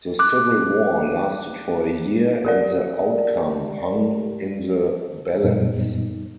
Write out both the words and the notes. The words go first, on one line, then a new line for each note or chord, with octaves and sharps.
The civil war lasted for a year and the outcome hung in the balance.
D6 F#6
G4 A#4 D5
F#2 A#2 G3 B3 D#4